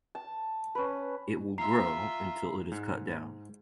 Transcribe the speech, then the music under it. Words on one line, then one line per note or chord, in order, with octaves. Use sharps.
It will grow until it is cut down.
A5
C#4 B4
F4 E5 A#5 C7
G#2